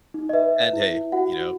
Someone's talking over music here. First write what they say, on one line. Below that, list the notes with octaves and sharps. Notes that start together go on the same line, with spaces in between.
And, hey. You know?
D#4
D#5
B4 E5
B4
E4
E4
F#4 F#5
F#4